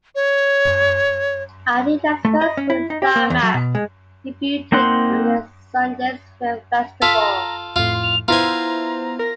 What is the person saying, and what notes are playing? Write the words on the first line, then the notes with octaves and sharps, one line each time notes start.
Arteta's first film, "Star Maps", debuted at the Sundance Film Festival.
C#5
A3
D#5
C#4
E4
D#4
G4
A#3
E2
F#3
B2
G#3
A#3 C4 D#4 F#5 C6
F4 A4 B6
A#5
F2 A2 F4 C6
F7
B3 E4 F4 C5 G#5 A#5
A#4 A#6